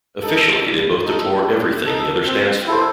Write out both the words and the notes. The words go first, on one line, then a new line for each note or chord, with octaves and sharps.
Officially, they both deplore everything the other stands for.
D#4 A4
G3
D#4 A4
G3
D#4 A4
C4
E4 A4 C5